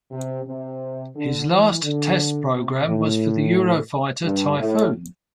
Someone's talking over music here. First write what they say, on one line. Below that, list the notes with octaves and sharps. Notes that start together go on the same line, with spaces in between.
His last test program was for the Eurofighter Typhoon.
C3
C3
D3
E3
D3
C3
A2
G2
A2